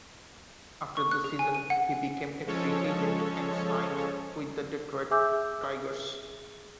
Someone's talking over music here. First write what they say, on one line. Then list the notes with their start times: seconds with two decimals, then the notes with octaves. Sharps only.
After the season, he became a free agent and signed with the Detroit Tigers.
0.97 C#6
1.11 F#6
1.24 G#4
1.39 G#5
1.55 D#7
1.70 F#5
2.47 F3 G#3 C#4 A4 C#5
5.11 G#4 E5 G#5 D6 E6 G6